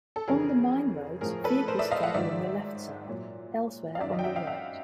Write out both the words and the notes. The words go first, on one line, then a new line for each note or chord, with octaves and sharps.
On the mine roads, vehicles travel on the left side, elsewhere on the right.
A4
F2 C#3 E3 G#4 A#4
A2 F3 G#4 A#4
A4 B4
A#4 C5
D5 E5
D#5 F5
E5 F#5
G#2 D#3 F#3 D5 E5
A#2 F#3
F5
F#2 D#3 F#3 D5 E5
D#5 F5
G5
E5 F#5
F5 G5
E5 F#5